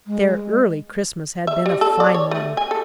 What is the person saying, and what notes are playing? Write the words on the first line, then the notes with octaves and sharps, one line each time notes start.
Their early Christmas had been a fine one.
G#3
E5
G3
A4
D5
C#5
A3
G#5
A4